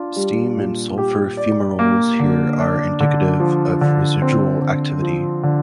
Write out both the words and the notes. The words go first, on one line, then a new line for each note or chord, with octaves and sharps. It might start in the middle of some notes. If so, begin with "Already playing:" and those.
Steam and sulphur fumaroles here are indicative of residual activity.
Already playing: D4 F4
G3
A#2
G4
D5
A#3
D3
D4
D3
F3
D3
C4
D3
F3
D3